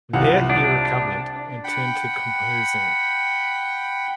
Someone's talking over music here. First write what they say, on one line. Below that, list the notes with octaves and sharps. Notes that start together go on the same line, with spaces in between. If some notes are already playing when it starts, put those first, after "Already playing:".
There he recovered and turned to composing.
C2 F4 F#5
D4
F#5 G5 B5